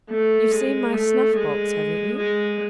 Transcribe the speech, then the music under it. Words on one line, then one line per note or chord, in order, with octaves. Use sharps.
You've seen my snuff-box, haven't you?
A3
G#3
A3
G#3
G#3